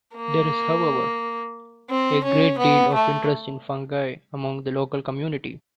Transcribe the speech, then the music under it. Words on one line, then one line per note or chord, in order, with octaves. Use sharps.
There is however, a great deal of interest in fungi among the local community.
A#3
C4
C#4
B3
A3